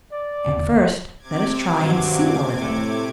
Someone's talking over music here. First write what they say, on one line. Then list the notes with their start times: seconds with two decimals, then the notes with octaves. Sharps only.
And first let us try and see a little.
0.12 D5
0.47 E1 D#2 D3
1.18 C3 D6 G#6
1.81 G2 D#3 F#3 F#4 C5
2.61 A2 A3